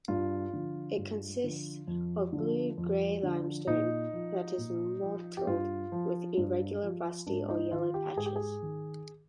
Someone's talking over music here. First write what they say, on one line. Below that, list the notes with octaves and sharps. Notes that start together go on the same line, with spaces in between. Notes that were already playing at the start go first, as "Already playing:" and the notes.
It consists of blue-gray limestone that is mottled with irregular rusty or yellow patches.
G2 F4
D3 F3
G2
D3 F3
F2
D3 F3
F2
D3 F3
A#2 D#4
F3
A#2
F3
G4
G2 F4
F3
G2
F3
G#2 D4
D#4
D#3 F4
G4
G#2 G#4
G4
G#4
D#3